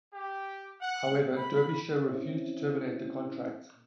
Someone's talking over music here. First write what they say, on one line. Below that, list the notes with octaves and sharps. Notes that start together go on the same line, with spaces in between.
However Derbyshire refused to terminate the contract.
G4
F#5
B5
C4 C#4 E4